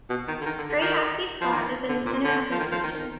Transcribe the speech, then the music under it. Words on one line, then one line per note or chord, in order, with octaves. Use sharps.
Great Asby Scar is in the centre of this region.
B2
D#3
D3
D#3
D3
D3
D#3
F3
D#3
D3
A#2
D3
F3
D#3
F3
D#3
D#3